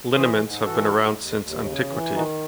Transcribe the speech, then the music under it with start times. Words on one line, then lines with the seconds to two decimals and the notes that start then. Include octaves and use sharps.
Liniments have been around since antiquity.
0.14 E3 G#4 C5
0.40 G#2
0.64 E3 F#4 A4
0.89 G#2
1.15 D#2
1.39 D#2
1.64 C#3
1.89 E3
2.14 D#3 D#4 F#4